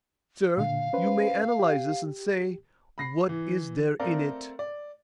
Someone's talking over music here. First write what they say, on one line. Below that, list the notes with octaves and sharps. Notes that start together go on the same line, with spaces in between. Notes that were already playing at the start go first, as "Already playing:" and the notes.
Sir, you may analyse this, and say what is there in it?
A#2 D3 F5
C#4 B4 C5
G4
B5 A#6 C7
E3
A3 C4 A4 A#4 D5 F5
D5